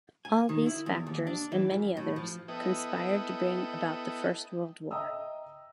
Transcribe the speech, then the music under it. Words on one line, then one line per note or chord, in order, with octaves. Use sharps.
All these factors, and many others, conspired to bring about the First World War.
G#5
D#3
E4
E2
D#2
D4
E3
F#2
A2
F3
B3 E4 A4 D#5 G5
D#5 E5 G5 A#5 D#6 E6